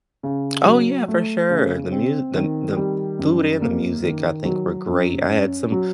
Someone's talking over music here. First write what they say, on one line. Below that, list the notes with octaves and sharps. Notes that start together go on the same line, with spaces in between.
Oh, yeah, for sure, the musi the the food and the music, I think, were great, I had some
C#3
F#3
A3
C#3
C4
D#3
G3
F#2
A#3
D#3
F#3
F#2
C#4
F#3